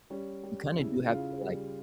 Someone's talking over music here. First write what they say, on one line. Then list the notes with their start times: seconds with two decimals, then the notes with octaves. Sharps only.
you kind of do have to, like,
0.10 G3 C#4
0.43 G3
0.75 C#3 E4
1.08 C#3 F4
1.41 G3